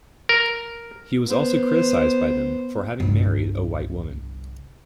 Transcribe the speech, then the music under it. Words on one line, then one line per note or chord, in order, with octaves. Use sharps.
He was also criticized by them for having married a white woman.
A#4
B3 C5
G1 C2